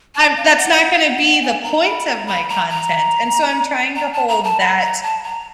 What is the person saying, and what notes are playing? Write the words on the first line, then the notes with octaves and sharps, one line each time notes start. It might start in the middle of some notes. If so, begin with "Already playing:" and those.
I'm that's not gonna be the point of my content, and so I'm trying to hold that
A5
F5
F5
F#5
G#5
A#5
B5
A#5
B5
A#5
A#5
A#5
A5
A#5
A5
B5
A#5
A5
A#5